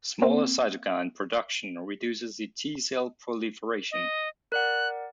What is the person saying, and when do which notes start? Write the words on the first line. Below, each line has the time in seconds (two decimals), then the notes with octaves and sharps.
Smaller cytokine production reduces the T cell proliferation.
0.22 A#3 C4
3.91 D#5
4.52 A#4 D5 F#5 F#6